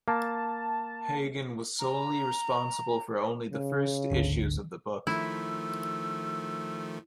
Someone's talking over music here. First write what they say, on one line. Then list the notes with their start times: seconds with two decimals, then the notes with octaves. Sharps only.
Hegen was solely responsible for only the first issues of the book.
0.08 A#3 A5
1.79 A#5
3.53 C#3
4.11 G#1 D2 D3
5.07 D#3 F3 A3 E4 E6